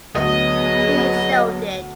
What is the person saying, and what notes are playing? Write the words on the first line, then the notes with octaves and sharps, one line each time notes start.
He showed it.
D2 F#3 B3 F#4 G#4 D#5